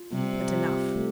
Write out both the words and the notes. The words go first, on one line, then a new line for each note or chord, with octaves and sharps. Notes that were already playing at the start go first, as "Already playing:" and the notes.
But enough.
Already playing: F4
C3 G3
F4
A3